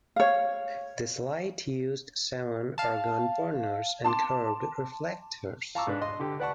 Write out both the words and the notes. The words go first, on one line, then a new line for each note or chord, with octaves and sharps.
This light used seven Argand burners and curved reflectors.
C#5 F5
F5 A5
A5 C6 D6
F5 A5 A#5 C#6 D6 E6
G#2 D4 B4
D#5 C6
D3 G4
B4 D5 F#5 A5 C#6